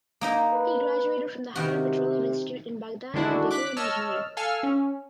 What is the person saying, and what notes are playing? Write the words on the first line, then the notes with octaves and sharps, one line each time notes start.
He graduated from the Higher Petroleum Institute in Baghdad and became an engineer.
A#3 D#4 D#5
B4
C3 D#3 F#4
D3 D#3 G#3 D4 E4 F#4
D6 F#6 B6
C#5 D#5 A5 E6 F6
A4 F5 G#5 E6 F6
C#4